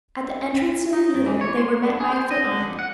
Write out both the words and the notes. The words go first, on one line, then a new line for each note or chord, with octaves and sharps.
At the entrance to the theatre they were met by a footman.
D#4
G2
E3
C#5
C6
D4
G#4
C5
D#5
D3
F2
F#5